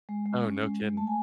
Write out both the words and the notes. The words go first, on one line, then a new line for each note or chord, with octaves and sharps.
Oh, no kidding.
G#3
G#3
C#4
G#3
G#3
A3 A5
G#5